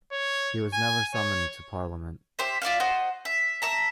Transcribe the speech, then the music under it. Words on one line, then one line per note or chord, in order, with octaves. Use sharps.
He was never summoned to Parliament.
C#5
G#5
C#5
G4 C5 E5
F4 D5 E5 F5
F#4 C5 D#5
E5
E5 A5 A#5